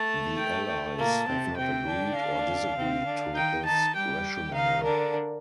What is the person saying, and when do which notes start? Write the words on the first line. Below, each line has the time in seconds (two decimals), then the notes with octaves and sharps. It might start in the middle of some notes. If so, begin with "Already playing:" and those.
The Allies have not agreed or disagreed to this rationale.
Already playing: A3 A5
0.39 G5
0.68 G5
0.97 A#2 A#3 A5
1.27 C3 C4
1.56 C3 C4 G5
1.87 D3 D4
2.16 F5
2.75 C3 C4
3.05 D3 D4
3.34 D#3 D#4 G5
3.65 D#3 D#4 A5
3.94 G3 G4 G5
4.53 D#3 D#4 F5
4.83 D3 D4 A#4